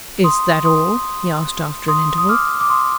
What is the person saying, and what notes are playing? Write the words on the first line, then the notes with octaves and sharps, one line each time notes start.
"Is that all?" he asked after an interval.
C6 D#6
C6 D#6
C6 D#6
D#6
D6 F6
D6
C6 D#6